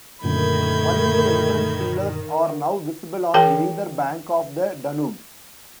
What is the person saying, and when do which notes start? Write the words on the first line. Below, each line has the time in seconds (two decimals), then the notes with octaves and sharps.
Only the entrance pillars are now visible on either bank of the Danube.
0.24 F#2 A#2 D3 D#3 A3 B5 G6 G#6
3.34 E3 G#4 A#4 G5 A5